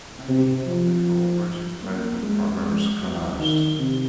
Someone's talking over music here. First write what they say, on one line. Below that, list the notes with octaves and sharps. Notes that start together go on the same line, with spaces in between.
Many of the cooperative medical programs collapsed.
C3
F3
A#3
G#3
G#3
F#3
D#3
C3